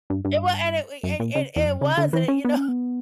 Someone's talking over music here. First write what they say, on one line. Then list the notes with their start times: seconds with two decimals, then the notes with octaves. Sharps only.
It w an it we and and and it was, and it you know,
0.10 G2
0.25 G2
1.03 F#2
1.20 A#2
1.35 C#3
1.56 E2
1.66 F#2
1.81 C#3
1.97 D3
2.13 E3
2.28 C#4
2.45 B3
2.57 C#4
2.68 B3